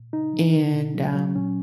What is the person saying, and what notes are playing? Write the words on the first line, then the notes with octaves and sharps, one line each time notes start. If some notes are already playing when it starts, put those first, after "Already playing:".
and, um
Already playing: A#2
C#3 D#4
F3
C#3
B2
F#3
F#3
A#2 C#4